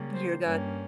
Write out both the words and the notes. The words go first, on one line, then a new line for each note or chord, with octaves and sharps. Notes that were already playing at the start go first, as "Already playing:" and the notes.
year, got
Already playing: C#3 G3 A#3
C5
G2 G3 A#3 C#4